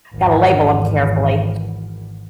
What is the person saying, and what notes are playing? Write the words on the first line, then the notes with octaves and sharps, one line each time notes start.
Gotta label 'em carefully.
G#1 E2